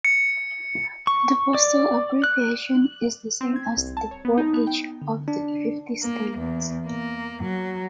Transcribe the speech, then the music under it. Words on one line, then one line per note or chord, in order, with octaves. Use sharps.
The postal abbreviation is the same as the for each of the fifty states.
C#7
C#6
D5
F#6
C4
G#6
C2
A5
C#5
B3
D#4
B3
G5
D3
D4
A#3
E2
A#3
F#3